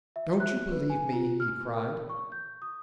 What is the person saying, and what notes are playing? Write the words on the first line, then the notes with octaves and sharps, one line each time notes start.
"Don't you believe me?" he cried.
E5
F#6
B4
G#5
F4
F6
A#4
C#6
G6
D#6